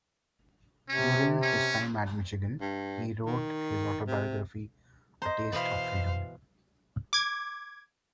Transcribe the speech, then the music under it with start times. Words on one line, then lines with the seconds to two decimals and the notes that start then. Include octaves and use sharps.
During his time at Michigan, he wrote his autobiography "A Taste of Freedom".
0.88 C3 C#4
1.42 C#4
2.61 G2
3.26 D#3
4.07 C3
5.22 C5 D#5 A#5
5.52 B2 E3 B3 C5 F5
7.13 D6 G#6